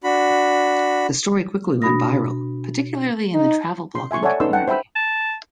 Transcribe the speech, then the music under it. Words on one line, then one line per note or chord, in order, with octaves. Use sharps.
The story quickly went viral, particularly in the travel blogging community.
D4 F#4 B5
B2 D4 F#4 B5 D#6 A#6
D#4
C6
E5 G#5 C6 C#6
A4 C#5 D5 E5 F#5 G#5
C#4 D#4 A4 B4 C6 E6
F#5 G5 A5
C5 E5 G5 B5 E6
A5